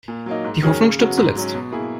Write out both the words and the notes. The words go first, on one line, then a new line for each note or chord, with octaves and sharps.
Die Hoffnung stirbt zuletzt.
A#2
F#3 A#3 D#4
G#2
D#3 F#3 C#4 G#4
C#3
F#3 B3 F#4
G#2
F#3 C#4
B2
A#3 E4 G#4